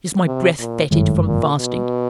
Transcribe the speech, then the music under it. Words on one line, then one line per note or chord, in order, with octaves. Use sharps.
Is my breath fetid from fasting?
C3
A#2
G1 F#2 A2 D#3 G#3
A#2
B2